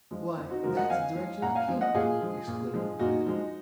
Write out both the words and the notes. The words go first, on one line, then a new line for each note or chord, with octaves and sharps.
"Why, that's the direction I came from," exclaimed the lad.
F3 G#3
F2
D#4 F#4
F3 G#3 F#4 A#4
D#5 F#5
F2 F5 G#5
F3 G#3
A#2 F#5 A#5
F5 G#5
F3 G#3
D#5 F#5
A#2 F4 G#4
F3 G#3
A#2
F3 G#3
A#2 D#4 F#4
F3 G#3